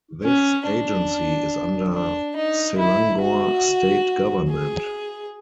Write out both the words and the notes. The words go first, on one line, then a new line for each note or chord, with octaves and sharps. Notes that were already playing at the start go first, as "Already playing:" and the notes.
This agency is under Selangor state government.
C#4
D4
D4
D#4
E4
F#4
G#4